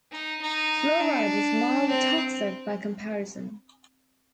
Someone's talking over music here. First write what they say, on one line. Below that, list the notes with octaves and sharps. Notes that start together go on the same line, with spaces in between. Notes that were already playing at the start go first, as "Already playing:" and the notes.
Fluoride is mildly toxic by comparison.
D#4
D#4
D4
C4